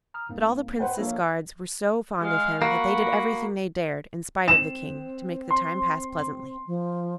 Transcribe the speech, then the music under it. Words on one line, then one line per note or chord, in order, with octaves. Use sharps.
But all the Princess guards were so fond of him that they did everything they dared, in spite of the King, to make the time pass pleasantly.
A#5 D#6 F6
G#2 A#3 C4
B4 C5 F#5 G5
F3 A#3 D4 A4 C#5 E5
G#3 F5
A#3 F#4 B5
C4 E7
C6
F3